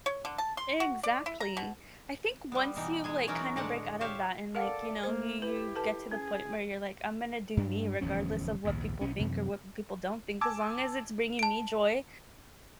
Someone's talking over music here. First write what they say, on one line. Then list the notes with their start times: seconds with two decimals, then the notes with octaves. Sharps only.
Exactly, I think once you like kinda break out of that and like, you know, you you get to the point where you're like, I'm gonna do me regardless of what people think or what people don't think, as long as it's bringing me joy,
0.06 C#5
0.25 D3
0.38 A5
0.57 C6
0.80 F#4
1.03 D5
1.26 E4
1.40 A#5
1.57 B2
2.52 G3 B3
2.76 B2 E3 D#4
3.04 G#3 G#4 G#5
3.27 E3 F#3 C#4 D#4 F#4 A#4
3.56 A2 D3 G#3 D5 D#5 F#5
4.01 G4 C5 C#5 E5 F5
4.55 A4 A#4 D5 F5 F#5
5.03 A#3 C5
5.42 E4 G4 B4
5.75 A4 B4 A5
6.11 C#4 G#4
7.57 G2 D4
8.01 D1 E2 F3 C#4
8.64 A#1 D#2 G#2
9.01 B1 C#4
9.17 F#2 C3 E3 F#3
10.41 G#5 A5 D6 E6 G#6
11.39 A5 D7